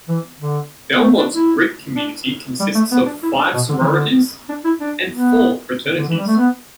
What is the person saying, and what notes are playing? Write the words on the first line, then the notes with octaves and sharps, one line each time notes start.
Belmont's Greek community consists of five sororities and four fraternities.
E3
D3
B3
A3
D4
E4
D4
G3
A3
B3
D4
E4
D4
B2
D3
E3
D3
D4
E4
D4
B3
D3
E3
G3
A3
B3